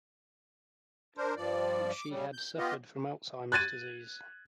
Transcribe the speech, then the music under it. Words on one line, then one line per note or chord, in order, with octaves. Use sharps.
She had suffered from Alzheimer's disease.
D4 A#4 C5
G2 F3 D5
D6
C#3 G3
G6
B3 F4 G4 D#5
F#6 G#6 A6 D#7